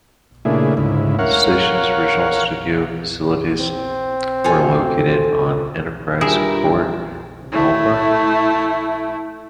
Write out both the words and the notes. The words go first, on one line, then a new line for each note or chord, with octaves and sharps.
The station's original studio facilities were located on Enterprise Court in Melbourne.
A#2 C#3 A3 D4 E4 G#4
D2 G#2 C#3 E4
A#4 C#5 F5 F#5
C4
F4 A4 G#5
G2 E4 F4 G4 G#4 A#4 E5
A3 E4